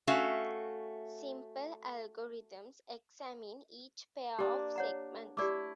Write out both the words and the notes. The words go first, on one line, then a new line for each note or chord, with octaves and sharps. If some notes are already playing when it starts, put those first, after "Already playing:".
Simple algorithms examine each pair of segments.
A3 C#4 F#4 E5 F5
A#3 D4 G4
C#5 F#5 A#5
A3 E4 G4 D5 D6